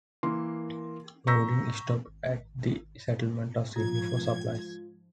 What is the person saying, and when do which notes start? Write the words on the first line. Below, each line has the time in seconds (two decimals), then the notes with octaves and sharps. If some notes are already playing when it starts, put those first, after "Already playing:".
Baudin stopped at the settlement of Sydney for supplies.
0.23 E3 A#3 A#4 C6
1.27 A#5 C#6 E6 G6 A#6 B6
2.07 G#1
3.76 G#2 F3 F4 G#6